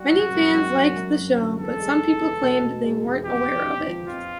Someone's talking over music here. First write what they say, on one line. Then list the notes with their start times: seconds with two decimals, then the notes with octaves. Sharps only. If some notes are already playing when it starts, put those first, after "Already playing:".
Many fans liked the show, but some people claimed they weren't aware of it.
Already playing: G3 F#4
0.13 F#2
0.35 F#2
0.55 G3
0.76 F#2
0.96 F#2
1.18 F#2
1.38 D3
1.58 E2 A4
1.80 G#3
2.01 G#3
2.21 E2
2.42 B2
2.62 B2
2.84 G#3
3.05 E2
3.25 F2 G4
3.45 F2
3.67 F2
3.87 F3
4.07 F2 F4